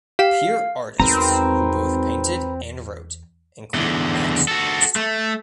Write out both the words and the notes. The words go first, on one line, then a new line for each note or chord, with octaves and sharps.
Peer artists who both painted and wrote include Max Ernst.
G4 F5 B6 E7
G#1 E2 C4 A#4 B4 A#5
E2 D3
F#4 A4
A3